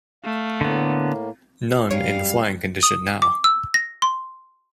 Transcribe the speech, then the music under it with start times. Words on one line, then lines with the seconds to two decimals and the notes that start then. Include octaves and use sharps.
None in flying condition now.
0.24 A3 F5
0.61 A2 D3 A#3 B3
1.91 F#2 G3 C#5 F5 D7
2.83 D#6
3.22 D6
3.44 E6
3.74 A#6
4.02 C6